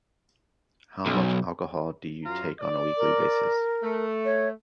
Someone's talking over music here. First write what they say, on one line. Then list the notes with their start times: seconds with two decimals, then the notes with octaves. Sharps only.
How much alcohol do you take on a weekly basis?
1.06 B1
2.25 F#2 F4 A#5
2.61 D5
2.97 A#4
3.82 A3
4.25 C#5